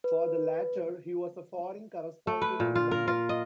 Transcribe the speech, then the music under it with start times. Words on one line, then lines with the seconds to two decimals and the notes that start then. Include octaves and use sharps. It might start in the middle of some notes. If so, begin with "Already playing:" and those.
For the latter he was a foreign correspondent in London.
0.04 B4
2.27 A3
2.42 B4
2.60 A#2
2.75 F4
2.91 A#4
3.08 F4
3.29 D#5